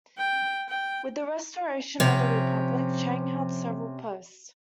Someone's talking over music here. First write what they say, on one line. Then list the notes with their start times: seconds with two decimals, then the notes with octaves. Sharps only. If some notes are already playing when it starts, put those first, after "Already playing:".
With the restoration of the Republic, Chang held several posts.
0.18 G5
0.68 G5
2.00 C3 F3 C#4 C5 E5